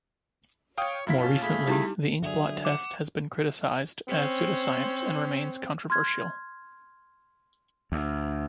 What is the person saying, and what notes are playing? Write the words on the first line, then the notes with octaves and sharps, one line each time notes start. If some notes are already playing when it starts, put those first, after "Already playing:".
More recently, the inkblot test has been criticised as pseudoscience and remains controversial.
C#5 F5 G5 D#6
F#2 E4 F4 B6
A#2 C#4 A5
A3 G#4 B5
G3 D#4 E4 G4
D3 F#3 G#4 D5 E5 F7
F#5 D6
C4 C#4 C5
C6 F6 G#6
D2